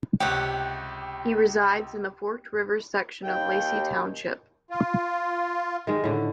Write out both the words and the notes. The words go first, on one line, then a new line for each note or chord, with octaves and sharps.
He resides in the Forked River section of Lacey Township.
C#2 C3 G4 C#5 F#5 G5
D#2 G5
F4
D#3 G#3
A2 D3